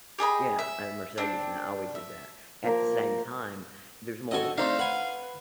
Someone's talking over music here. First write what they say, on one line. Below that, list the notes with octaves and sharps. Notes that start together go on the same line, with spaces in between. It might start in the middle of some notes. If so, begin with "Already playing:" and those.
Yeah, I have a Mercedes, and I always did that. At the same time, there's more wrecks,
G4 G#4 D#5 B5
E5
C4 D4
E5
F3 A#3 A#4
C4 F#4 A4 D#5 G#5
A3 C4 D4 D#4 C5 F5
B4 F#5 G#5